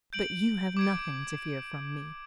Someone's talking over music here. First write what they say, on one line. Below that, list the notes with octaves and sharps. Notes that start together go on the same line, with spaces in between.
But you have nothing to fear from me.
G6 D7 F#7
D6 G#6 D7